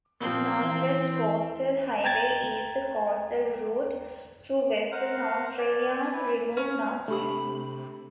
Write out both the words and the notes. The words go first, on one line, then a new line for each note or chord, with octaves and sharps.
North West Coastal Highway is the coastal route through Western Australia's remote north-west.
A#2 F3 C4
E3
G5 A#5 G#6 A6
A#4 C5 F5 F#5
D5 G#5
E4 B4 G#5
C#4
C3 A3 D4 G4 B5 E6